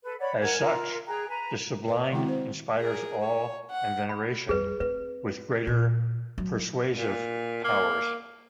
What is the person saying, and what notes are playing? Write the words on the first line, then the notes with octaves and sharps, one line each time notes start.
As such, the sublime inspires awe and veneration, with greater persuasive powers.
A4 B4
C#5 D5 F#5 B5
A#4 F#5 G#5 G#6
F4 A#4
G#4 G5 A#5 F#6
B4 G#5 A#5
B4 D#5
D#3 G#3 C4 E4 F#4 G5
C4 C5
G#4 A#4
C#5
F#5
B5
F2 G3 G#4 B4
C4 B4
A#2
F#3
A#2
A#3